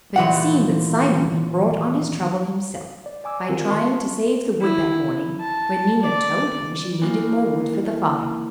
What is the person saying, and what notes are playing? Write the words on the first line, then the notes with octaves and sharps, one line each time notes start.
But it seemed that Simon had brought on his trouble himself by trying to save the wood that morning when Nina told him she needed more wood for the fire.
D#2 A#2 E3 F#5
D5
D5 G#5 D6 E6
D#3 C4 F4 G4 A#4
A5 C6 C#6
E4
A5
D5
E3 A#3